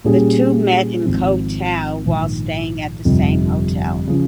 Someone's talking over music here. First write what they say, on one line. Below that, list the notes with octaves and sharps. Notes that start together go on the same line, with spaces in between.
The two met in Koh Tao while staying at the same hotel.
A#2 G3 C#4 G#4
G#1 G#2 F3 C4
A#1 G#2 D#3
G1 F2 C3 G3
C#3 F3